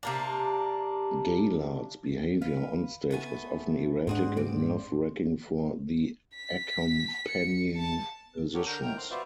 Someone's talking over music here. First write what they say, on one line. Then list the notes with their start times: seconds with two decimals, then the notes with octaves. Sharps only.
Gaillard's behaviour on stage was often erratic and nerve-wracking for the accompanying musicians.
0.03 C3 A#3 D4
2.42 B4 F5
3.11 A3 B3 G#5
4.07 G#2 C4 D4 G#4 F#5
4.37 C4 D5
6.35 B6
7.27 C#7
7.76 A5
8.54 G4 A4 A#4 C#5 F#5
8.67 D3 A#4 A#5 G6
8.82 A2 D#3 A#4 G5 A#5
8.97 C4 C6 F#6
9.11 F4 F#4 B4 C5 D5 E5